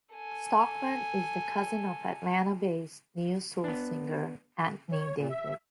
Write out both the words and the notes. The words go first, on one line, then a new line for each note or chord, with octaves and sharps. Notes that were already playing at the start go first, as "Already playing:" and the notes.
Stockman is the cousin of Atlanta-based neo-soul singer Anthony David.
A4 G#5
B3 D4
C#5
A#2
E5